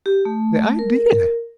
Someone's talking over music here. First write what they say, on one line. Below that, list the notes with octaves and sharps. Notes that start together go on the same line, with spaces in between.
The idea!
G4
A3
A#4